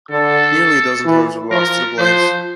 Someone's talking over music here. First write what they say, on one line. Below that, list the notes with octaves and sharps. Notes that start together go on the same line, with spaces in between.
Nearly a dozen homes were lost to the blaze.
D3 A4
E3
F3 A#4
F3 C5